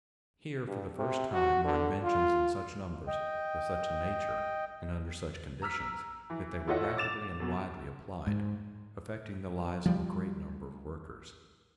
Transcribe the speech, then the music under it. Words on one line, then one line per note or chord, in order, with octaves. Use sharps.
Here for the first time were inventions in such numbers, of such a nature, and under such conditions, that they were rapidly and widely applied, affecting the lives of a great number of workers.
G2
C3
F#4
D3
F4
D#5 G5
A#5 E6 F6 B6
E3
E4 F4 A4 C#5 D#5 F#5
D6 A6 E7 F7
F#2 B2
G#2
F3 G3